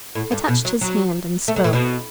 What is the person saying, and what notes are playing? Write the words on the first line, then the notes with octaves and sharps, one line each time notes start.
I touched his hand, and spoke.
A2
G2
B2
F#3
F#3
A3
F#3
A2
B2